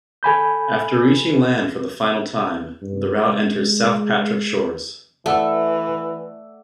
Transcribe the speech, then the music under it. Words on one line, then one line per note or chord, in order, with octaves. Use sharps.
After reaching land for the final time, the route enters South Patrick Shores.
A4 G#5 B5 G6
G2
G#3
E3 A3 D5 F#5 E6